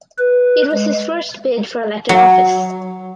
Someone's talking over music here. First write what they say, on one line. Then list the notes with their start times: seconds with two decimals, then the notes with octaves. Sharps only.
It was his first bid for elected office.
0.18 B4
0.72 G#3
2.09 F#3